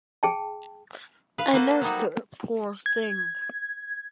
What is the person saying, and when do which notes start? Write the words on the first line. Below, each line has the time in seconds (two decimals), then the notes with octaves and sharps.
I nursed her, poor thing!
0.23 G#4 G5 A5
1.38 B4 F5
1.53 A#3 F#4 A4 B4 C5
1.81 F#3 G3 D#4 F#4
2.86 G#6